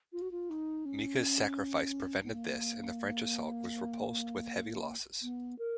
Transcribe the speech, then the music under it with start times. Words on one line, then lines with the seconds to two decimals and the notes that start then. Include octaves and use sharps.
Micca's sacrifice prevented this, and the French assault was repulsed with heavy losses.
0.13 F4
0.22 F#4
0.32 F4
0.50 D#4
0.85 C#4
2.24 B3
2.32 A#3
5.22 B3
5.59 A#4